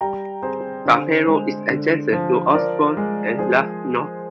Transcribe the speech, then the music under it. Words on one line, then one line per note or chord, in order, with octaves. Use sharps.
Taperoo is adjacent to Osborne and Largs North.
G3 G5 A#5
C4 G#4 C5
D3
G#3
D3
F3
F3 A#4 D5
G#3
F3 G#4 C5